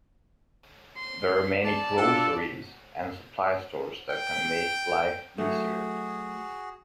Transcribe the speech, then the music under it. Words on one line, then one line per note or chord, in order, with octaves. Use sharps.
There many groceries and supplies stores that can make life easier.
C6
D5 A5
D4 F4 A4
G5
F#3 A3 F#4 G#4